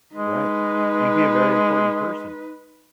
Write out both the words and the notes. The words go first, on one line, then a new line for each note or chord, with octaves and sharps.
Right, you'd be a very important person.
G#3 D#4 B4